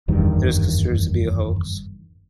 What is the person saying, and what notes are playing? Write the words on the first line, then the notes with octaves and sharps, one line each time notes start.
It is considered to be a hoax.
F#1 E2 G2 D#3